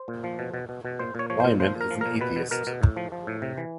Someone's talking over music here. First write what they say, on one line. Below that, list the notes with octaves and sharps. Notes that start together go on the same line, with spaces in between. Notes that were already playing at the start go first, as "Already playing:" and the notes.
Liman is an atheist.
Already playing: C5
A#2
F3
B2
B2
B2
B2
A#2 C5
A#2 C#5
F3 C#5
A#2 C5
F3 C5
A#2
A#4
F3
A#2 A#4
B2 B4
B2
B2 A#4
B2
A2
F3
F3
A2
C3
E3